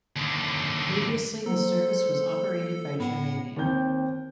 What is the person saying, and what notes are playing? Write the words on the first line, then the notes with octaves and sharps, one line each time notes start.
Previously the service was operated by Germania.
D#2 D3
F#3 A#3 A4 C5
A2 B3 F#5
D#2 C4 G6